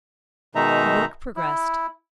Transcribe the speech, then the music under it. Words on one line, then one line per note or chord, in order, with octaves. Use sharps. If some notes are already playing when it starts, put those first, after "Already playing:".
The work progressed.
B2 D#3 G#3 D#4 E5 A#5
E4